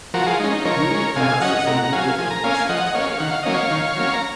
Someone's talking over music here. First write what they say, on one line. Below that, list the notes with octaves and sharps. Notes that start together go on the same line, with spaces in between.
Ute Pass is immediately west of town.
F3 F#4 A#4
F4 G#4
G#3 C#4 D#4
D#4
F3 A#4 C#5
G#3 C#4
C3 F5 G#5
F#3 C#4 D#5 F#5
C3 F#5 A#5
F#5
F#3 C#4 F5 G#5
F3 G#5
A#5
A#3 C#4 F5 G#5
F3 D#5 F#5
A#3 C#4 C#5 F5
D#3 F#5
F5
F#3 A#3 C#4 D#5
C#5 F5
D#3
F#3 A#3 C#4
A#5